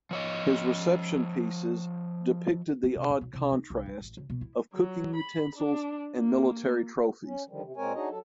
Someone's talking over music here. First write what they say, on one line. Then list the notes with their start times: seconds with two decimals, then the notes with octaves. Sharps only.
His reception pieces depicted the odd contrast of cooking utensils and military trophies.
0.11 F3 C#5 D#5
2.83 B3
2.96 C3
3.09 E1
3.21 B1
3.33 C2
3.52 D#4
3.70 C2
3.86 G2
4.00 A1
4.17 C#3
4.30 B2
4.41 E4
4.72 F#3
5.16 B5
5.55 D4
6.18 A#3
7.26 C#4
7.48 D3 D#3 F3 G3
7.62 C3
7.77 A#2 G#3 C4 A#4 C#5 G#5
7.94 D4 D#4 F#4 G#4 C#5 D#5
8.10 F#3 A4